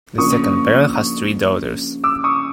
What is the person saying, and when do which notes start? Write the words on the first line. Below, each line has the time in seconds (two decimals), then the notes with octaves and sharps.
The second baron has three daughters.
0.18 C#3 F3 A#3 D4 C#6 D#6
2.04 D6 E6
2.24 C#6 D#6